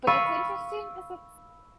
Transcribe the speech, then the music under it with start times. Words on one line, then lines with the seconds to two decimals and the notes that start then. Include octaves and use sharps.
But it's interesting 'cause it's
0.07 F5 B5 C#6 E6 A6 D#7